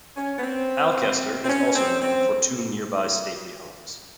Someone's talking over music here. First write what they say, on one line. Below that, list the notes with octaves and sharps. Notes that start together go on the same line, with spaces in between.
Alcester is also known for two nearby stately homes.
C#4
B3
C4
C4
C#4
C4
C4